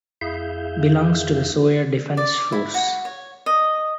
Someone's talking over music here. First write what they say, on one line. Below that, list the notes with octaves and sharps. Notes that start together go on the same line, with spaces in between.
Belongs to the Soya Defense Force.
F2 E4 G#4 E5 F5 G6
D5
E4
F#4
C#5
D#5